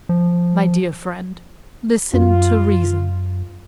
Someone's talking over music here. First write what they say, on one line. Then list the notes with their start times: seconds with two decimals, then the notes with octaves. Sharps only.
"My dear friend, listen to reason."
0.09 F3
2.14 F#2 F4